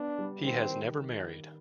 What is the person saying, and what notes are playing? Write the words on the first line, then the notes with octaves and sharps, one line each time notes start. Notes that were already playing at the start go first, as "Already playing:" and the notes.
He was never married.
Already playing: B3 D4
G3
D#3 C4
D#3